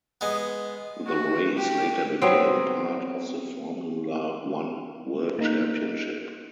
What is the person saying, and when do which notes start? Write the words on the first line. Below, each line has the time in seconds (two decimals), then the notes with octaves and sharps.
The race later became part of the Formula One World Championship.
0.21 G#3 B3
1.06 F#4
1.55 G4
2.22 F#3 B3 C4
5.39 A#3 D#4